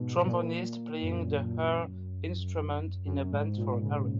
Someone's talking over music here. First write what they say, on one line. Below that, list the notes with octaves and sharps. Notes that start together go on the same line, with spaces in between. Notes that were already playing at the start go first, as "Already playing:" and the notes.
Trombonist playing the her instrument in a band for a parade.
Already playing: G#2 B2
A#2
F#2
F#2
G#2
A#2
C#3